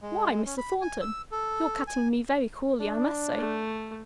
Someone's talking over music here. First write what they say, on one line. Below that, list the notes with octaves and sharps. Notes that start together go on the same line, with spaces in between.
'Why, Mr. Thornton you're cutting me very coolly, I must say.
G#3
C#4
B5
G#5
E6
A4
G#5
D4
A3